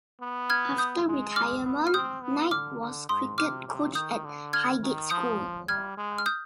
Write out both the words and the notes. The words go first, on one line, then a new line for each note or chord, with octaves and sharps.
After retirement, Knight was cricket coach at Highgate School.
B3
F6 G#6
D#6 G6
G#3
D6 F6
B3
F6
C4 D#6 G6
B3
D3 D6 F6
D3
G#2 C6 D#6
C3 D6 F6
C3
D#3 D#6 G6
D3
F6 G#6
D#3
F3 D#6 G6
G3 F6 G#6
G#3
F6
D#6 G6